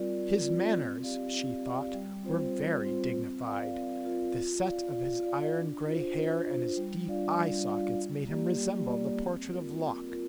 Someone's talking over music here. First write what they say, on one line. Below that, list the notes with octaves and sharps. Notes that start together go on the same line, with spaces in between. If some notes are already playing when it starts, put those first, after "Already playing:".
His manners, she thought, were very dignified; the set of his iron-gray hair and his deep eye-sockets made him resemble the portrait of Locke.
Already playing: G3 C4 F4 A#4 D5
G3
C4 F4 A#4 D5
C4
G4 D5 F5
C4
G4 D5 F5
G3
C4 F4 C5
G3
C4 F4 C5
C4
F4 A#4 D5 F5
C4
F4 A#4 D5 F5
F4
D5 F5
F4
D5 F5
D4
F4 C5
D4
F4 C5
G3
D4 F4 D5 F5
G3
D4 F4 D5 F5
G3
A#3 G4 D5
G3
A#3 G4 D5
C4
F4 A#4
C4
F4 A#4